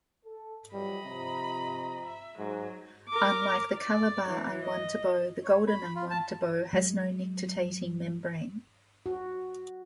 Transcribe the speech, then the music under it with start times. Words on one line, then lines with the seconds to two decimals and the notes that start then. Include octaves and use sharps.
Unlike the Calabar angwantibo, the golden angwantibo has no nictitating membrane.
0.24 A4
0.73 F2 E3 F#3 G3 D#5 B5
1.06 C3 F3 A#5
2.05 E5
2.38 G#2 F#3
3.09 A#4 D6
3.78 D5
4.28 E3
4.63 D#5
5.44 C#5
5.67 B5
5.96 F4
6.10 A5
6.73 F#3 G#3
9.06 F#4